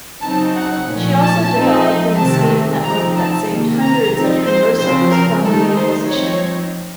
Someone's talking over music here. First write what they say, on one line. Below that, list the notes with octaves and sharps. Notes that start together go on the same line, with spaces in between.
She also developed an escape network that saved hundreds of Conversos from the Inquisition.
C#3 F#3 C4 D#4 A5
F#5
A#2 F3 A3 C#4
A5
F3 C4 D#4
C3 D#3 A3 C4 A5
C#3 F3 C4 D#4 A#5
A5
C3 D#3 A#3
A#5
F3 C4 D#4
C5
C#3 F3 C4 C5
A#4
D#3 A3 D#4 A4
C5
F3 C4 D#4 C#5